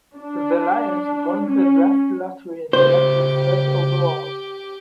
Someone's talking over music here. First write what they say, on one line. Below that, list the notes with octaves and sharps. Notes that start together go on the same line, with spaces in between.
The Lions won the draft lottery and selected first overall.
D4
C#4
C#3 A3 G4 C5